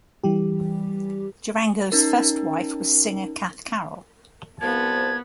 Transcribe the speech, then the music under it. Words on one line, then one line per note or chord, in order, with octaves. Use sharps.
Durango's first wife was singer Cath Carroll.
E3 G3 G4
C#4 D#4 A#4
C2 F3 B3 A5 G#6